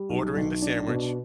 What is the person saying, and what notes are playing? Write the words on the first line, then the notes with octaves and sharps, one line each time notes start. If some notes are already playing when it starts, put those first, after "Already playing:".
ordering the sandwich,
Already playing: G3
B1
B1
D4
B2